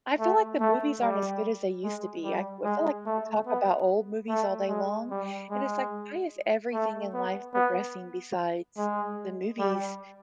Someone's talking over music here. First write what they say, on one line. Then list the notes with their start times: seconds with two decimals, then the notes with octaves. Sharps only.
I feel like the movies aren't as good as they used to be, I well, I feel like we talk about old movies all day long, and it's like, why is everything in life progressing besides the movies
0.20 A3
0.60 A3
1.01 G3
1.83 G#3
2.23 G3
2.64 G#3
3.06 A3
3.46 B3
4.29 A3
4.68 G#3
5.10 G3
5.50 G#3
6.73 A3
7.14 B3
7.54 B3
8.77 G#3
9.59 G3